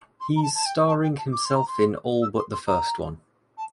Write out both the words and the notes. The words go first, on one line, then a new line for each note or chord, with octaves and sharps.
He’s starring himself in all but the first one.
C6
A#5
A5
A5
G5
A5
G5
A5
D6
C6
A#5
C6
E6
C6
C6
A#5
A5